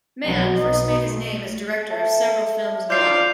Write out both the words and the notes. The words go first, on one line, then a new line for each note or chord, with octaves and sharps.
Mann first made his name as director of several films noir.
B1 F#3
B1 D#4
A3
A4 E5
F4 C5 D5 G6 C7